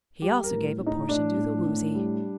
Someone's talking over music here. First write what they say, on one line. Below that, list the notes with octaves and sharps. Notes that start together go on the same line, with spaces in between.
He also gave a portion to the Woozy.
G3 G4
A#4
A2
A2
D#4
A2 D4
A2
A2
G3